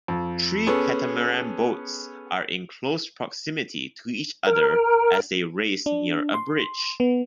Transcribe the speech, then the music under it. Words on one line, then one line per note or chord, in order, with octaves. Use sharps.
Three catamaran boats are in close proximity to each other as they race near a bridge.
F2
B3 C#4 G#4 A4
A#4
D4
C6
B3